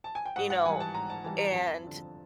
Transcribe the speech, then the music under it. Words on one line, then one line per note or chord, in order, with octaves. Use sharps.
you know, w and,
A5
G#5
G5
G#2 F#5
F#5
E3 G3 G#5
A5
G#2 A#5
A5
E3 G3 A5
A#5
F2 A5
D3 F3